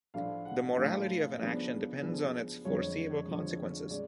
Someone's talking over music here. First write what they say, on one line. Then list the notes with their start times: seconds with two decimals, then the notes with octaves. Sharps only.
The morality of an action depends on its foreseeable consequences.
0.14 A2 F3 A3 D4 F4 F5
0.45 F#5
0.77 A2 F3 A3 D4 F4
1.39 C#3 F3 B3 D4
2.01 C#3 F3 B3 D4 G#4
2.65 F2 D3 F3 G#3 C#5
3.27 F2 D3 F3 G#3
3.90 C#3 G#3 D5